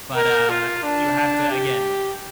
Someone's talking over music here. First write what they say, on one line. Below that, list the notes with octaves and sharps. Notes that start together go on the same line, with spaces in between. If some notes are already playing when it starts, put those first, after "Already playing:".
But, um, you have to again,
A#4
F4
D4
G4